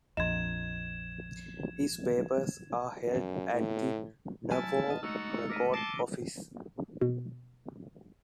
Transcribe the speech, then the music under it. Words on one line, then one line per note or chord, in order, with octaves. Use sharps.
His papers are held at the Norfolk Record Office.
A#1 F2 F3 D#5 A#5 C6 G#6 E7
F#2
A2
F#3 E4 G#5 A5 F6 A6
B3 D#5
G#3 A3 D#4 F#4 E6 C#7
A#4 D6 B6 D#7
A5 D6 A#6 C7 G7
B2